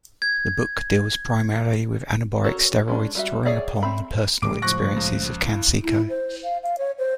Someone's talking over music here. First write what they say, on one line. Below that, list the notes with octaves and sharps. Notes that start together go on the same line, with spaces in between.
The book deals primarily with anabolic steroids, drawing upon the personal experiences of Canseco.
G#6
F#4 A4 A#4 C#5
G#3 C#4 D4
G3 F#4 E5
G#4 C#5 D5 E5 F#5
C4 E5 B5
A2 C#3 G3 G#3 D6 D7
F3 C#6 F#6 A#6
C#2
E4
E4
C5
F5
F5
C#5
C5